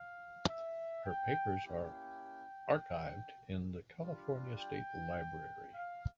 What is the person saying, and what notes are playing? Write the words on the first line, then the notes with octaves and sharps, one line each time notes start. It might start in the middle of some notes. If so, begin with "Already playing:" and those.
Her papers are archived in the California State Library.
Already playing: F5
E5
G5
A#3 C#4 E4 G4 G5
G3 D4 F4
G5
F5